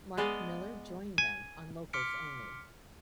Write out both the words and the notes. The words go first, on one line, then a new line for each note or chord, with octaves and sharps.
Mark Miller joined them on Locals Only.
G#3 B3 D5 D#5 F5
G#5
C6 D6 F6 B6 C#7 D7